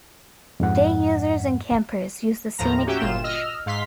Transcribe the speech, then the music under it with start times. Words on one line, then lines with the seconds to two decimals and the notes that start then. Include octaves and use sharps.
Day users and campers use the scenic beach.
0.60 F2 G#2 F#5
2.58 D#2 A2 F3 A#5
2.87 C#4 F#4 G4 E5 G5
3.00 G1 A#2 F4 E7
3.24 D#5 E6 F6
3.66 G#2 F5 C6 B6